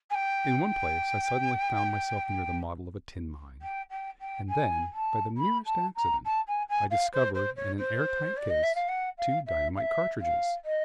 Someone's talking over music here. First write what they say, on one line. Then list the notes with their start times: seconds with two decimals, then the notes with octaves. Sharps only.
In one place I suddenly found myself near the model of a tin-mine, and then by the merest accident I discovered, in an air-tight case, two dynamite cartridges!
0.10 G#5
0.14 G5
3.61 G5
3.90 G5
4.20 G5
4.48 G#5
4.92 A5
5.37 B5
5.65 A5
5.95 A#5
6.25 A5
6.47 G#5
6.68 G#5
6.90 F5
7.13 C5
7.34 C5
7.56 C#5
7.78 C5
8.37 D5
8.50 D#5
8.63 E5
8.75 F5
8.88 F#5
9.18 F5
9.47 E5
9.76 F5
9.80 E5
10.20 F5
10.64 D#5